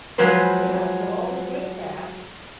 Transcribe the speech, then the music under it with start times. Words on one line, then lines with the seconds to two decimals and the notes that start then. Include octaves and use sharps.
Yeah. So, all the good fats
0.18 F3 F#3 G#3 B4 C5